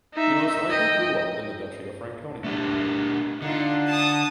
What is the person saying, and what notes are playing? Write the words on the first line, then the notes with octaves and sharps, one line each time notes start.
He most likely grew up in the Duchy of Franconia.
D#4 E5
D#5 G5
A3 D4 G4
D3 D#4 F4
A5 D#6